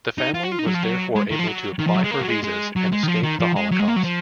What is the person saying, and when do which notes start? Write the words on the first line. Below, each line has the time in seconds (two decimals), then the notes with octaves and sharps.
The family was therefore able to apply for visas and escape the Holocaust.
0.18 D#4
0.34 F4
0.44 F#4
0.52 F4
0.59 D#4
0.67 F#3
0.75 F3
0.83 F#3
1.15 G#3
1.31 D#3
1.39 F3
1.47 F#3
1.79 D#3
1.87 F3
1.95 F#3
2.04 G#3
2.11 A#3
2.22 F#3
2.28 G#3
2.44 G#3
2.76 F#3
2.92 G#3
3.03 D#3
3.08 F3
3.23 D#3
3.40 F3
3.56 G#3
3.71 F#3
3.79 G#3
3.88 A#3
3.96 F#3
4.04 F3